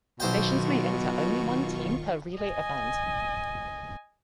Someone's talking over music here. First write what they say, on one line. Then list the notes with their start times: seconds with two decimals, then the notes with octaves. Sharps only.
Nations may enter only one team per relay event.
0.20 B1 B2 D#3 F4 C5 G5 C#6
2.39 D#5 G#5